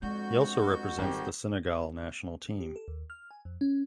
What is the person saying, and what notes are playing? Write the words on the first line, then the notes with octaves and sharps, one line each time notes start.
He also represents the Senegal national team.
F2 G#3 D4 F#4 G6
G#1 G3 C4 G4
G4
A4
D#2
F6
G#5
F2
C#4